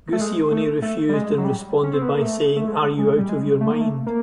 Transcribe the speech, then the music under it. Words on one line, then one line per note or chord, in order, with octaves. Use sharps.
Guccione refused and responded by saying Are you out of your mind?
A3
G#3
A3
A3
G3
G#3
F#3
G3
C#4
C4
B3
A#3
A3
A3
G#3
G#3
G3
G#3
A3
A#3
A3
A#3